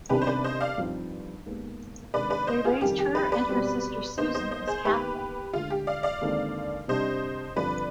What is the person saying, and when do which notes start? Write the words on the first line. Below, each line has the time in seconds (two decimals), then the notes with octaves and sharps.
They raised her and her sister Susan as Catholic.
0.09 C2 C3 D#3 B3 D4 G4 B4
0.22 C5
0.27 B4 D5
0.44 C5 D#5
0.61 D5 F5
0.78 G2 F3 C4 D#4
1.46 D#2 D#3 G#3 B3
2.14 C3 D#3 G#3 D4 B4 D5
2.30 B4 D5
2.47 C5 D#5
2.64 F4 G#4
2.81 F2 D#3 G3 G4
2.99 G4
3.15 G4 B4
3.32 B4 D5
3.49 B2 G3 C4
4.17 D#2 D#3 B3 D#4 C5 D#5
4.35 C5 D#5
4.51 C5 D#5
4.67 G#4 C5
4.85 D#2 D#3 B3 D#4 G4 B4
5.53 D2 D3 G#3 F4
5.70 G4
5.87 D5 F5
6.03 D5 F5
6.21 D#2 D3 G#3 C4 D#4
6.88 C3 G3 D4 C5 D#5
7.56 G2 D3 F3 C4 B4 D5